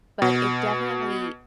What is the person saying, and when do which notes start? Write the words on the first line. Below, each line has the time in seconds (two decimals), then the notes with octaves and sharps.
but it definitely,
0.22 B2